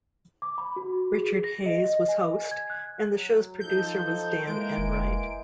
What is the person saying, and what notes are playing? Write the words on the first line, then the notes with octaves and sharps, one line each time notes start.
Richard Hayes was host, and the show's producer was Dan Enright.
D6
B5
F#4
G#4
A#6
D#5
D#5
G#5
G#6
F#6
F#3
F3 D#4 A4 G6
E3 G#3 A#3 D7
F1